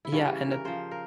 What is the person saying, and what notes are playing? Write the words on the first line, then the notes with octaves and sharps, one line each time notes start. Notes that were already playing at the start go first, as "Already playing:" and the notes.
Yeah, and the
E4
C#3 E3 G3 C#4
G4
A#4
A#4
C#3 F3 C5
A#4